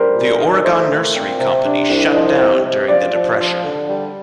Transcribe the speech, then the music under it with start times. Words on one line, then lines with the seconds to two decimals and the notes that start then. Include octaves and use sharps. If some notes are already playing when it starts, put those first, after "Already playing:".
The Oregon Nursery Company shut down during the depression.
Already playing: G3 A#4 C5
0.14 A#2
0.40 D#4
0.65 A3 C5
0.90 A#2
1.14 C4
1.39 C3
1.65 D4
1.89 C2
2.14 F3 D#5
2.39 C3
2.64 C3
2.88 F3 D5
3.14 F3
3.39 F3
3.63 D3
3.89 G3